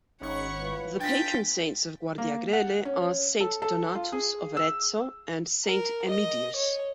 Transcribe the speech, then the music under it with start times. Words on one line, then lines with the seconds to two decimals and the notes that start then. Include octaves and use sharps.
The patron saints of Guardiagrele are Saint Donatus of Arezzo and Saint Emidius.
0.21 G#1 C#4 D#4 C#5 F#5 B5 C#6
0.60 A2 F4 B4
1.00 D4 F4 G5 G#5 A6 B6
2.18 A#3
2.53 F#5
2.85 C#4
3.40 A4
3.62 A4
3.95 F4
4.12 G#4
4.57 E6
5.65 A#4
6.09 D#5
6.55 C#5